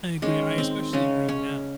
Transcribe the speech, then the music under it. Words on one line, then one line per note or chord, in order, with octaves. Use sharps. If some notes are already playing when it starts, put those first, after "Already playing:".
I agree. I especially agree now.
D#3 G#3 C#4
C4
C#3 G#3 C#4
C#4